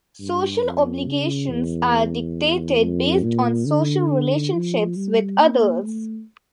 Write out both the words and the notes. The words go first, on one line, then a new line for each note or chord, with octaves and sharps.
Social obligations are dictated based on social relationships with others.
G2
F2
C#3
E2
F2
A#2
D3
F3
G3
A#3
A3